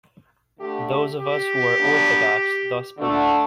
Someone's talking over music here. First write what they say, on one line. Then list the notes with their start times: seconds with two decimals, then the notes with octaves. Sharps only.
Those of us who are orthodox thus believe.
0.58 D3 A3 D4 G4
0.88 G4
1.18 G4
1.78 G2 F#3 B3 D4
2.98 D3 A3 D4